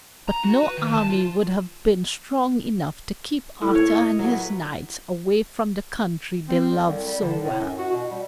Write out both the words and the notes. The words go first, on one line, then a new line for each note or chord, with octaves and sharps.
But no army would have been strong enough to keep Arthur and his knights away from the country they loved so well.
A#5
F#4
B4
D#3
A5
F4
A2
C#5
D#5
F#3
B4
C4
F2
C2
G3
D3
A2
F#2
F#4
B2
G3